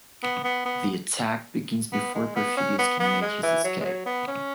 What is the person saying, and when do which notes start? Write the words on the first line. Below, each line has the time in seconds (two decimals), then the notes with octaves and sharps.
The attack begins before Perfidius can make his escape.
0.23 B3
0.44 B3
0.66 B3
1.93 B3
2.15 G#3
2.36 B3
2.57 C#4
2.78 B3
3.00 B3
3.21 G#3
3.43 E3
3.64 F#3
3.80 G#3
3.85 F#3
4.06 B3
4.27 C#4